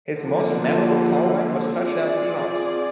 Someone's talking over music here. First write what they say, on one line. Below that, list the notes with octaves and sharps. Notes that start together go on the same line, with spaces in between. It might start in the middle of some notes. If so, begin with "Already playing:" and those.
His most memorable call line was Touchdown Seahawks!
D3 F3 A#3
C4 F4 G#4 D5